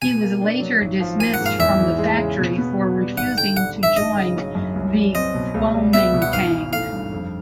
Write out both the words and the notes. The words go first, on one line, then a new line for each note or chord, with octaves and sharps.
He was later dismissed from the factory for refusing to join the Kuomintang.
B2 G#5
A#3
D4
F#3
G#1
F3
A#3 G#5
F#5
G#2
F5
E2 E5
E3
G#3
C#3
B2
B3
B2
G3
G#1 F#5
D3 G5
G3 F#5
G2
E5
G#1 D#5
C#3
F#3
F#2
C2
G3
C4 D#5
B2
C#2
G3
B3 E5
B2
F#5
G#1 F5
E3
A3 F5
G2
F2